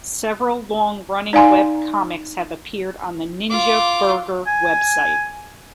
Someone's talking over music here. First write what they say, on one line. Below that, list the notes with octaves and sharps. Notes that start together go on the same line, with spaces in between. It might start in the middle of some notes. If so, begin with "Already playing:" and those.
Several long running web comics have appeared on the Ninja Burger website.
D#4 D5 F5 G#5 A#5 C6
F4 D6
G#5